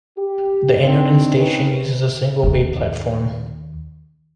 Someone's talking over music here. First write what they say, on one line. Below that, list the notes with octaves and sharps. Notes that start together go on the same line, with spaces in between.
The Enoden station uses a single bay platform.
G4
D#3 C4 D4
C4 C#4 D#4 A#4 B4
D#2 D#3